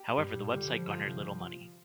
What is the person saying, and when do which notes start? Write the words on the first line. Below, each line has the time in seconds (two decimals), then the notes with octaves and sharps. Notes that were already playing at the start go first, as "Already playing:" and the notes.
However, the website garnered little money.
Already playing: G4
0.17 G2 G3
0.35 A#2
0.54 D3 G3
0.71 F3
0.89 D3 F3
1.07 C3